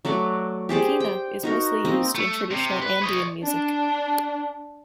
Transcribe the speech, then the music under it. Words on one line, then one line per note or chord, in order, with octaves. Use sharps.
Quena is mostly used in traditional Andean music.
F#3 A3 F#4 D5
G4 G#4 C5 D5
G5
D#4 F#4 A#4
A#3 C4 D#5
A3
C3
B4
C#5 D#5
D4